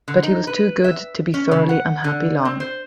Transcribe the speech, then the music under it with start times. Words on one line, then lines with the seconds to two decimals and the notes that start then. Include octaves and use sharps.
But he was too good to be thoroughly unhappy long.
0.08 D3
0.23 D#4
0.47 B4
0.84 E5
1.34 C#4
1.51 C#3
1.69 F#5
2.04 D3
2.45 C4
2.60 C5